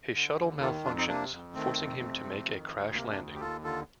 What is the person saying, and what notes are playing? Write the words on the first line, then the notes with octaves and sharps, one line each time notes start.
His shuttle malfunctions, forcing him to make a crash landing.
D3
D#2
D#3 F4 A4
F2 D4 F4
C4 D#4
C3 A#3 D4
F2
D#3 A3 C4
F2
C3
F2
D#3
D2
C3 A#3
A#3 D4
D2
G4
D#2 F4 A4
D3 F4 A4